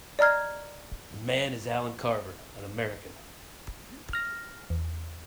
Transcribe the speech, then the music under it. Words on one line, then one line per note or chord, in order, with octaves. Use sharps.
The man is Allen Carver, an American.
D5 D#5 A#5 F6 G#6
F6 A#6
E2